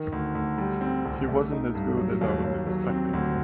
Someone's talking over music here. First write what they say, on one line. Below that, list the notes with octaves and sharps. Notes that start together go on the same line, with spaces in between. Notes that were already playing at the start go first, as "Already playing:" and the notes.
He wasn't as good as I was expecting.
Already playing: D#3
D2
D2
G3
C4
C2
A3
D#4
G2
F#3
D#2
D#2
F#3
C4
D2